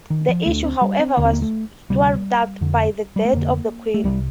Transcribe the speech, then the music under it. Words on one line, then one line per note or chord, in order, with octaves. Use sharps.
This issue, however, was thwarted by the death of the Queen.
D#3
F3
D2 D3 A3
C4
G3
C4
D#2 D3 A#3
C4
A#3
A3
D2 C3 G3
F2 D3
G3
A3
F2 D3 A#3
A3
C2 C3 G3